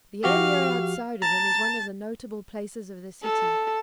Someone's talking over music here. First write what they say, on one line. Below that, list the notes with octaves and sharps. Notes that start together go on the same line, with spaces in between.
The area outside of them is one of the notable places of the city.
F3 F#4 G4 F5
A5 A#5
A4